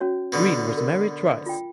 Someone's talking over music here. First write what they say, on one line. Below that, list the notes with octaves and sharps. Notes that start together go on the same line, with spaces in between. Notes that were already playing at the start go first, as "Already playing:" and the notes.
Green was married twice.
C#4 F#4 C#5
B2 D3
A#4
F4 G5